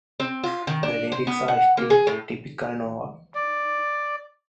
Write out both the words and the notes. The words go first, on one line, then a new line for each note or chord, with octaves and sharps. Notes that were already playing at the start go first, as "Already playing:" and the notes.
The lyrics are still typical Nova.
C4
F4
D#3
D4
C5
B3
F#5
A#3
G#4
A2
D5